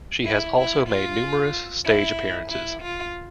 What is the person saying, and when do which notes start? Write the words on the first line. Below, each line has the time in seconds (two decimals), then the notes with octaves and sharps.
She has also made numerous stage appearances.
0.25 E4
0.57 E4
0.89 F4
1.85 E4
2.50 E4
2.82 F4